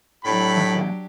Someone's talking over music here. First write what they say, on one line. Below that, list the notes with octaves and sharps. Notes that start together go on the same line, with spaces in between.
Love that.
A2 F#3 D4 G4 B5